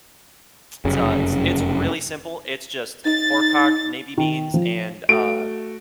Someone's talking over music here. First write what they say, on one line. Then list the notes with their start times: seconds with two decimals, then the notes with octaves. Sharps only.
it's uh, it's it's really simple. It's just pork hock, navy beans, and, uh,
0.85 F1 F#2 C#3
3.05 D#4 A6
4.18 D#3
4.54 F3
5.09 A3 F#4 D7